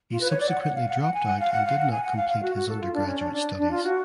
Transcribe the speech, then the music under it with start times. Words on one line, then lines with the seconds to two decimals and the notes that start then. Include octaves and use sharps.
He subsequently dropped out and did not complete his undergraduate studies.
0.11 F4
0.21 B4
0.30 C#5
0.40 D5
0.49 F#5
0.63 F#5
0.75 F5
0.88 F#5
1.01 F#5
1.14 G#5
1.27 F#5
1.40 F5
1.52 F#5
1.65 F5
1.78 F#5
1.91 G#5
2.04 F#5
2.17 F5
2.29 F5
2.43 F#4
2.56 F#4
2.68 A4
2.81 F4
2.94 D4
3.07 C#4
3.20 D4
3.33 D4
3.58 D4
3.71 F4
3.83 F#4